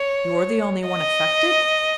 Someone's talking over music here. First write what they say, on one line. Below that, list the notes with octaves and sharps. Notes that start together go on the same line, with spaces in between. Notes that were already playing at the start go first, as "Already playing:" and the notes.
'You are the only one affected?'
Already playing: C#5
D#5